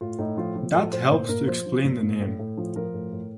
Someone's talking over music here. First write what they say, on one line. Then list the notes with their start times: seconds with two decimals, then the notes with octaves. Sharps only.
That helps to explain the name.
0.01 A2 F4
0.19 A2 D#4
0.37 F3 F4
0.55 F3
0.74 A2 A4
0.92 A2 C5
1.11 A#2 C5
1.29 A#2 A#4
1.47 F3 C5
1.66 F3
1.84 A#2
2.03 A#2
2.21 A2
2.39 A2
2.57 F3
2.76 F3 A#4
2.94 A2
3.13 A2